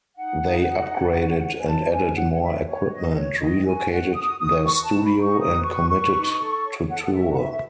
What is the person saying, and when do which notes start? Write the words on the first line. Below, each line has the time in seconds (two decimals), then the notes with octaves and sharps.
They upgraded and added more equipment, relocated their studio, and committed to tour.
0.17 D#4 F#5
0.42 D#4
0.66 D#4
0.92 F#4
1.16 F#4
1.41 C#5
1.58 G#5
1.66 C#5 A5
1.91 C#5 G#5
2.15 C#5 F#5
2.32 F#5
2.41 C#5 E5
2.65 F#4 C#5
2.90 C#5 D#5
3.15 F#4 C#5
3.40 F#4 D#5
3.65 F#4 G#5
3.90 F#4 F#5
4.14 F#4 D#6
4.39 F#4 D#6
4.64 F#4 C#6
4.83 A5
4.89 D#4
5.02 B5
5.14 D#4
5.21 C#6
5.39 F#4 D#6
5.64 B4 C#6
5.89 B4 C#6
6.14 D#4
6.38 A4
6.63 C#5
6.88 A4 F#5
7.02 F#5
7.13 F#4 E5
7.32 F#5
7.38 F#4 E5
7.51 E5